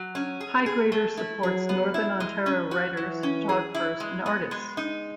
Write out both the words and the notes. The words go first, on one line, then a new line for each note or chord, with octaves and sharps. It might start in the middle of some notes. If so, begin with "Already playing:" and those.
"HighGrader" supports northern Ontario writers, photographers and artists.
Already playing: F#3
C#4
G#4
G#4
A3
E4
F#3 G#4
B3
E4
G#3
C#4
F#4
E3 F#3
C#4
G#4
E4
G#3
B3
G#3
D#4